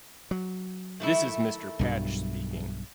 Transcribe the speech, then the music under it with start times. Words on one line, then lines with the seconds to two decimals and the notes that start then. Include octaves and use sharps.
This is Mr. Patch speaking.
0.31 F#3
1.00 D#3 A3 E4
1.79 B1 G2 F#3